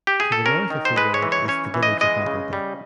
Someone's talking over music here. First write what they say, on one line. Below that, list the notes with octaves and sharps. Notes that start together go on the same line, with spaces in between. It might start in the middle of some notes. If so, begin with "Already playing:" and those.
To the north of the ward is the village of Appleby.
G4
G#4
A4
C#4 A#4
D#3
C5
G#3 B4
C#5
E3
C#5
C#4 C#5
E3
D#5
G#3 D#5
C#3
G3